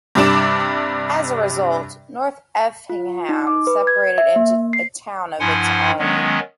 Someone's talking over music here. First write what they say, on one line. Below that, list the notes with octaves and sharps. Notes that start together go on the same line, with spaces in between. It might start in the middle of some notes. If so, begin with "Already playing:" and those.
As a result, North Effingham separated into a town of its own.
G2 C3 G3 D4 D6 E7
F4
D#4
D6
B4
G#6
E5
A#3
C7
G2 F3 E4 F#5 G#5 C6
D#3 F#3 G#3 B3 C#4